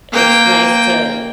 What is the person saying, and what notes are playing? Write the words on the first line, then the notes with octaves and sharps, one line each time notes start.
It's nice to
A#3 G5